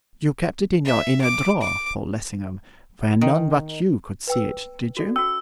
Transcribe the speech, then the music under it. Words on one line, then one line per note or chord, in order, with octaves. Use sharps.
'You kept it in your inner drawer, Paul Lessingham, where none but you could see it,--did you?
E5
D6
D6
D#3
B4 G5 E6
F#4 A4 D5
C#4 F#4 E6